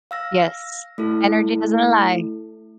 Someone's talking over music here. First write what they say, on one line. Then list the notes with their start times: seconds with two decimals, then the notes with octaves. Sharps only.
Yes. Energy doesn't lie.
0.11 F5 E6 A#6
0.98 A3 E4 A4